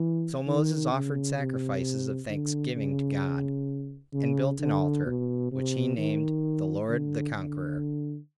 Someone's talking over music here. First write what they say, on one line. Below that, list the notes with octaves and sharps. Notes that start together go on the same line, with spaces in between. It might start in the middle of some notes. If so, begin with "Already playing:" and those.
So Moses offered sacrifices of thanksgiving to God, and built an altar, which he named The Lord the Conqueror.
Already playing: E3
D#3
C#3
C3
D3
C#3
C#3
D3
B2
C3
D#3
D3
D3